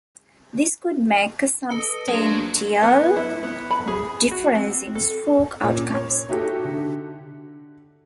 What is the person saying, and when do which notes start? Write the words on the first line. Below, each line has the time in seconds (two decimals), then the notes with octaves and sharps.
This could make a substantial difference in stroke outcomes.
1.69 A4 B4 D#5 C#7 G7
2.08 F#3 A#3 D4 G#4 A4 C5 A5 D#6
2.83 B3
3.17 E4
3.43 B3
3.71 B5
3.88 G#4
4.31 F#4
4.55 C4
4.95 A4
5.61 A#2 C#4
5.94 C#5
6.29 D#4 E4 F#4 G4 A4
6.65 D3